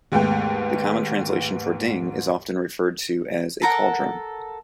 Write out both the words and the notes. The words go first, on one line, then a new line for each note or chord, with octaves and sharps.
The common translation for ding is often referred to as a cauldron.
D#2 G#2 A3 B3 G5
A4 A#4 F#5